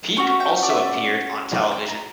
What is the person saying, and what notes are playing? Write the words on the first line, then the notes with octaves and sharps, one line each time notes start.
Peek also appeared on television.
C#4 F#4 C#6
G5
D5
E5
D5
D5
G5
A#5